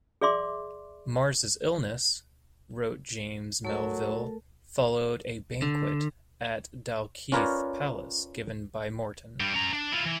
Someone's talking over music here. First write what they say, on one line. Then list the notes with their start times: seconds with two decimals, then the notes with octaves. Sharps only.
Mar's illness, wrote James Melville, followed a banquet at Dalkeith Palace given by Morton.
0.21 G#4 D5 E5 C6 D6
3.65 F#3 A3 A4 A#4
5.62 D3
7.32 C#4 F4 A#4 B4 C#5 D5
9.40 G2 G3
9.54 C#4 A#5
9.73 D4
9.92 E4 F4
10.06 E3